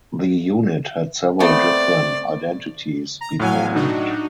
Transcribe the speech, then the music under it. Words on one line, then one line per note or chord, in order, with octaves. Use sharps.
The unit had several different identities beforehand.
A3 B3 C4 D5
A#5
A2 F#3 F5 G#5
D4 D#4 F#4